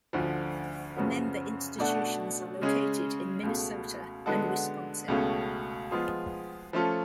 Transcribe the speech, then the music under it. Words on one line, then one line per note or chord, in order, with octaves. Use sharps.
Member institutions are located in Minnesota and Wisconsin.
D2 D3 F3
F#2 C#3 F3 B3
B2 A3 D4 F#4
C#3 G#3 C#4 G#4
C#2 B2 A3
D3 G#3 B3 F#4 A4
C#2 B2 A3 C#4
F3 G#3 B3 F4 G#4
F3 A3 C#4 F4 A4